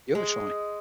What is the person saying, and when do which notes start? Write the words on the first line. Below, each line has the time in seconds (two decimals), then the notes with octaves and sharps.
You have a try.
0.15 G#3